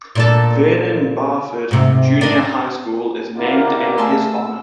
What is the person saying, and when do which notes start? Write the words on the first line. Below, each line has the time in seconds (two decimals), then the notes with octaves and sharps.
Vernon Barford Junior High School is named in his honour.
0.15 A#2 D4 A4
1.71 G#2 C3
2.21 D4 D#5
3.37 G#1 G3 A#3 E4 F4 F#5
3.98 A3 G#5 A5 C6 E6